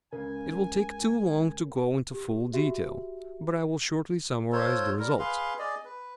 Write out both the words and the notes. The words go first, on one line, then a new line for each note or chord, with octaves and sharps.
It will take too long to go into full detail: but I will shortly summarize the results.
C#2 C#3 A#4 G#5
G4
F#4 G4 E5
F4 A4 C5 C#5
G3 A#4
G#4 B4 F5 C6
G#4 D5 D#5
B4